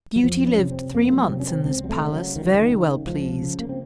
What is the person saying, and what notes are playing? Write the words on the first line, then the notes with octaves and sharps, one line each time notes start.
Beauty lived three months in this palace very well pleased.
F#3
F2 F3
C#4
C3
C4
F2 A#3
F#3
A#3
C3 C4
C#4
C4
C#2 C4
F#3
A3
C#3
F#3
C#2 D#3
F3
D#3
C#3
C#2 F3
C#3
A#3
C4